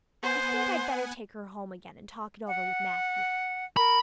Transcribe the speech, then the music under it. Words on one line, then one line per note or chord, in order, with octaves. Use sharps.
I think I'd better take her home again and talk it over with Matthew.
B3 C5 F#5 G#5
F#5
A#4 B5